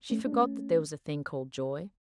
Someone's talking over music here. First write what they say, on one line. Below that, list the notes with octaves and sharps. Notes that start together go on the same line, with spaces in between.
She forgot that there was a thing called joy.
A3 C#4
D4
A3 C#4